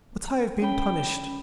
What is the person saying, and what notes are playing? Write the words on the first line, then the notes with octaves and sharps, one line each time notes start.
"But I have been punished."
C#4 G5 B5